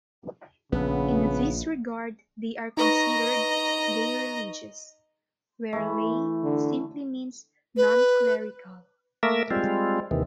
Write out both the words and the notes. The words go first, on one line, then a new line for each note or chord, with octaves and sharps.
In this regard they are considered "lay religious," where "lay" simply means "non-clerical".
A#1 C#3 B3
D#4 B4 D#5 A#5 C#6
E3 A3
D3
B4
A3 A#3 A#4 E5
G3 G#3 C4 F4
D#2 C3 D#3 E3